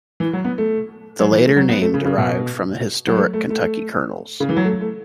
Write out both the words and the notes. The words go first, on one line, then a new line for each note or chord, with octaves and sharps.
The latter name derived from the historic Kentucky colonels.
E3
F#3
B3
A3
F#3
E3
A3
F#3
B3
A3
C#3
C#3
B2
F#3
A3
A3
A3
C#3
E3
F#3
A3
A3